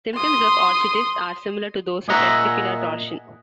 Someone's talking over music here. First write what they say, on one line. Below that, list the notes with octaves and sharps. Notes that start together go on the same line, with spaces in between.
Symptoms of orchitis are similar to those of testicular torsion.
C6 D#6
A#2 G#4 D#5 E5 F#5 A#5